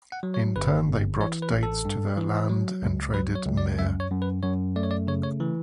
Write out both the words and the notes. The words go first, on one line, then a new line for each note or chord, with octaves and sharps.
In turn they brought dates to their land and traded myrrh.
F#5
F#3
C#5
G1 B4
G1
E3 C#5
B4
A1
A4
G2
E3
F#3
C#2
F#3 B4
C#5
C#2
D5
F#2 E5
C#5
F#2
B4
F#2 C#5
A3 D5
C#5
D5
C#3 C#5
C#5
E3